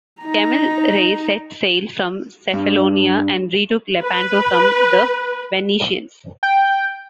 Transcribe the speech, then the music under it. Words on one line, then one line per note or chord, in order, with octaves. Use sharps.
Kemal Reis set sail from Cefalonia and retook Lepanto from the Venetians.
D#4 A#5
G2
B4
G5